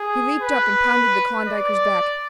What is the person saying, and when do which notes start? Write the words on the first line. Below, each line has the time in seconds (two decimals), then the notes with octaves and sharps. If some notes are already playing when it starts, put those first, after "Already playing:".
He leaped up and pounded the Klondiker's back.
Already playing: G#4
0.41 B4
1.48 D5